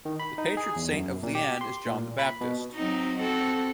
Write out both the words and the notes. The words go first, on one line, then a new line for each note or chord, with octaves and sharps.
The patron saint of Lian is John the Baptist.
D#3
B5
D#4
G#4
E2
F#2
A#2
G4
C6
A#2
B5
B2
F#3 C4 D#4
C4 F#4 A4